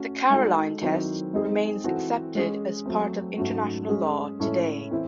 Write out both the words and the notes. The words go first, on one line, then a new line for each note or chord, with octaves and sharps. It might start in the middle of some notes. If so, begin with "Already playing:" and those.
The "Caroline" test remains accepted as part of international law today.
Already playing: A3 C#4 F#4
G#3 D#4 F#4 A4
D#3 F#3 C4 E4
G#3 C4 D#4 G#4
E3 C4 F#4 A4
G#3 C#4 G#4
F#3 A3 C4
G#2 F#3 A3 C#4 F#4
G#3 C#4 G#4
A2 G#3 C#4 E4 A4
E3 C4 E4